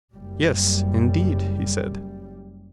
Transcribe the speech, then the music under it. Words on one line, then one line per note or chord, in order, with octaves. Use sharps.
Yes, indeed, he said.
F#1 G3